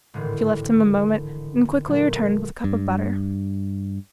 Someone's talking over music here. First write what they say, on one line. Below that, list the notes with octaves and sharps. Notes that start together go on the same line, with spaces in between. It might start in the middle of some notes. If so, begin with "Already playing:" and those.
She left him a moment and quickly returned with a cup of butter.
G#1 A2 D3 E3
A#2 F#3 A3
G2